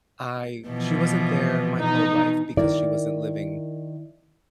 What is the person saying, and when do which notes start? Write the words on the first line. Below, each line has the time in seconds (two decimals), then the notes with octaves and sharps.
I she wasn't there my whole life because she wasn't living
0.68 B2 E3 F3
1.79 B2 D#4
2.57 D#3 E4 A#4 D5